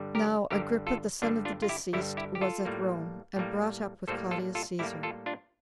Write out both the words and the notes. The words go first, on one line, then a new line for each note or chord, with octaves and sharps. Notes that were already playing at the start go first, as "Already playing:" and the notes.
Now Agrippa, the son of the deceased, was at Rome, and brought up with Claudius Caesar.
Already playing: G2 D3 G3
G4 A#4
G2 D3 G3 G4 A#4
F4 A4
G2 D3 G3 D4 F4
D4 F4
F4
E4 G4
G2 D3 G3 E4 G4
E4 G4
G4
F4 A4
A2 G3 A#3
A2 G3 A#3
A2 G3 A#3 A4 C5
F4 A4
F4 A4
A2 G3 A#3 E4 G4
F4 A4
D4 F4